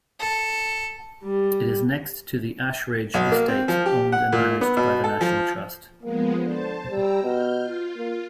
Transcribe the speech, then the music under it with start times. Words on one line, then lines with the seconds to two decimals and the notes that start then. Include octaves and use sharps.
It is next to the Ashridge Estate, owned and managed by The National Trust.
0.19 A4
1.25 G3
3.14 B1
3.32 A#3
3.48 C4
3.68 F3
3.86 G4
4.12 F#5
4.32 A#2
4.61 B3
4.77 B2
5.04 A4
5.21 F3
6.03 F3 G#3 A#3 B3
6.43 D3 C5 A5
6.90 G3 G5 A#5 E6
7.23 B2 F6 G6
7.62 F4
7.97 A#3